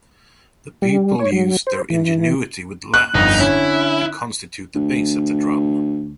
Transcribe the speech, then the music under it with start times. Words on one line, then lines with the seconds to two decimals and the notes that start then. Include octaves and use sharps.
The people used their ingenuity with laths, to constitute the base of the drum.
0.82 G3
1.19 C#5
1.32 F#3
1.67 C5
1.90 E3
2.94 F#6
3.14 G1 F2 D#4
3.40 D3 C#4 E4
4.75 D2